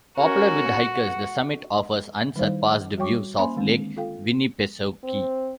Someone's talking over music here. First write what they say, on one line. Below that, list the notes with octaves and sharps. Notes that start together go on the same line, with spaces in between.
Popular with hikers, the summit offers unsurpassed views of Lake Winnipesaukee.
C#4 F#4 A#4
F#5
D#3 G3 D#4 E4 C5 F5
G3 F#4 C#5 G5 C#6 D6
A#3 C#4 C5 G#5 B5 C6
D3 D#3 G#3 C4 D4
F4 A4 F5 G5
C4